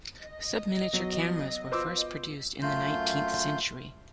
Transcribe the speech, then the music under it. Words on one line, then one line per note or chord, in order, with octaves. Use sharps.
Subminiature cameras were first produced in the nineteenth century.
D#5
F#3 B3 F#4
F4 B4 C5 D6 E6
F#2 A3 F4 C6 G6